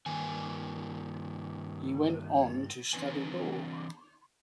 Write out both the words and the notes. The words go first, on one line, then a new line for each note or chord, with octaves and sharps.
He went on to study law.
G2 D#3 A#3 G#5
E3 C4 D4 B4 G#5